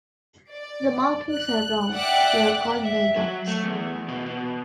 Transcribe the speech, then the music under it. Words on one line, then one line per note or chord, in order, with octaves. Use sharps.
If the markings are round they are called mil-dots.
D5
F#6
D5 E5 F#5 G5 D6 F#6
E5
F#3
A3
E2
B2
B2